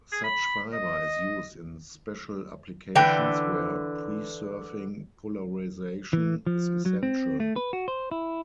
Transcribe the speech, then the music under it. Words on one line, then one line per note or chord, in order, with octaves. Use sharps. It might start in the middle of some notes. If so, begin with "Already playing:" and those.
Such fiber is used in special applications where preserving polarization is essential.
G#4
B5
D#5
D3 E3 D4 B4 G5
E3
F3
F#3
C4
A3
B4
F#4
C5
E4